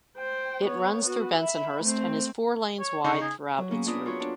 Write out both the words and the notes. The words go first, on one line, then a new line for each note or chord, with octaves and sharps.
It runs through Bensonhurst and is four lanes wide throughout its route.
C5 G5
B3 C#5
B3 F#4
E5 B5
A3 C4
C#5
C#3 D#4 C#6
G#4
F#3
A#3 B3 C#4 G#4
B3 D4 F4 A#4 B4 D#6
F4 F#4 C#5
D4